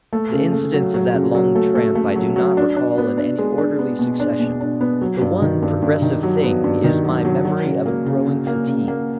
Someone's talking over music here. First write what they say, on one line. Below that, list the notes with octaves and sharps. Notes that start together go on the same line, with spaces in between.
The incidents of that long tramp I do not recall in any orderly succession, the one progressive thing is my memory of a growing fatigue.
A3
C#3
A3
F#3
F#3
C#3
F#3
A3
A3
A3
F#3
F#3
D4
D4
B3
D4
G#3
D4
B3
B2
D4
B2
D4
B3
F#3
G2
D#3
G2
G2
D#3
F#3
B3
G2
D#3
F#3
F#3
F#3
C#3
A#3
C#3
C#3
A#3
C#3
A#3